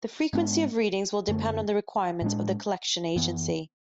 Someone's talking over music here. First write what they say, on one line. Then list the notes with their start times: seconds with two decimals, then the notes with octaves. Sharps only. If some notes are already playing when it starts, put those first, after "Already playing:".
The frequency of readings will depend on the requirements of the collection agency.
0.33 G#2 G#3 B3 D4
1.28 F#2 D3 A3
2.22 A2 G#3 D4
3.16 F#2 E3 B3